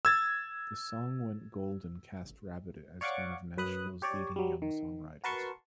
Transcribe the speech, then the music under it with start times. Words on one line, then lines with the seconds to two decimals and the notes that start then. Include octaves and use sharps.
The song went gold and cast Rabbitt as one of Nashville's leading young songwriters.
0.05 E6 G#6 A6
3.01 C#5 D5 F5 F#5 C#6 D6
3.57 F#2 B4 D#6 F#6
4.02 G4 C#5 D5
4.36 F#3 G3
4.62 D#3
5.24 F#4 A#4 B4 A5 C6 C#6